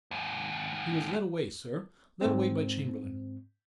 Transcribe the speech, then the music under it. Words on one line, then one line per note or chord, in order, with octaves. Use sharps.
He was led away, sir, led away by Chamberlayne.
D#2 G#2
G#2 C4